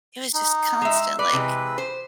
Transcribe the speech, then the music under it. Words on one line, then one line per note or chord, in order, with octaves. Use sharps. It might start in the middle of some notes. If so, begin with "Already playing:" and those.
It was just constant, like,
D#4
G#3 E5
B4 D5
C3 E3 G#3
C5